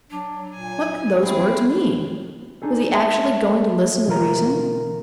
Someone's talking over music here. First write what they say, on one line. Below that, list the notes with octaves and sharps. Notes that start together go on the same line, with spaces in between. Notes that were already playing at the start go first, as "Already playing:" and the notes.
What could those words mean?--Was he actually going to listen to reason?
F#3 D4
A#2 G#5
G3 C4 E4 G#4
D4 D#4 G#4 A4
E5 A5
B2 D3 E3 F4 A#4 A#5